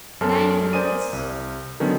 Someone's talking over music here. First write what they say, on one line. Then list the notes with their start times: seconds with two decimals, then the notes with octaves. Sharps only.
An angler this.
0.21 F#2 F#3 A4 F6
0.73 A#4 C5 D5 G#5 D#6 D#7
1.13 C2
1.80 D3 D#3 F#3 B3 C#4